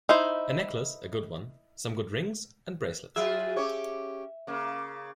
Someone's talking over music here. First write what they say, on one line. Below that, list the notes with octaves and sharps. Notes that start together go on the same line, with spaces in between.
A necklace — a good one — some good rings, and bracelets.
D#4 E4 C5
F#3 F4 G#4 E5
C#4 G4 C#5
C#3 A#3